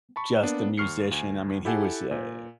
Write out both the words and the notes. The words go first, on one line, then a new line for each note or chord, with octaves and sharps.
just a musician, I mean, he was a
A5 B5 C#6
A#3 B3 D4
D#2 C#6 F6 C7 C#7
D2 G#5
E4 G4 A4 F#5 G#5 A5
A#2